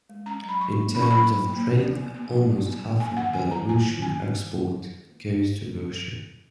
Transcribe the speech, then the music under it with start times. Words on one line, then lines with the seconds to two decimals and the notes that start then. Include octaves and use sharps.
In terms of trade, almost half of Belarusian export goes to Russia.
0.09 G#3
0.26 C#4 A#5
0.43 F#3
0.49 B5
0.61 F#3 C#6
0.78 A#3
0.95 C#4 B5
1.02 C#6
1.11 F#3 B5
1.29 F#3
1.47 A#3
1.63 F3
1.81 F3
1.97 B3
2.14 B3
2.31 F3
2.48 F3
2.66 B3
2.83 B3
3.00 A#3 G#5
3.17 D#3 F#5
3.34 C#4 G#5
3.51 F#3 A#5
3.69 A#3 G#5
3.86 D#3
4.02 C#4 G#5